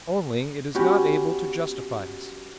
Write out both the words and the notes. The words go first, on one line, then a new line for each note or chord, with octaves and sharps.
Only it is not able to justify us.
B3 C#4 F#4 G4